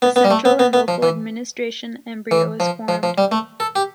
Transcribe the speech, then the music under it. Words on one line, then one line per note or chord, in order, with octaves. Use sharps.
A central and local administration embryo is formed.
B3
B3
G3
A3
B3
B3
B3
F3
E3
E3
F3
F3
F3
G3
A3
A4
G4